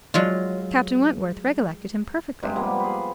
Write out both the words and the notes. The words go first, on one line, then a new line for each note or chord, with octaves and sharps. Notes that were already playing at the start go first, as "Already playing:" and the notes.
Captain Wentworth recollected him perfectly.
F#3 G#3 F4
G2 C3 G#3 G4
F3 G3 A#3 B3
G#4 B4